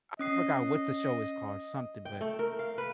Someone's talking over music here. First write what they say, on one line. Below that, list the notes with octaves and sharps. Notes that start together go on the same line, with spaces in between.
I forgot what the show is called, something, but
C#4 D#5 D#6 C7
G5
A3
A#4
F5
B4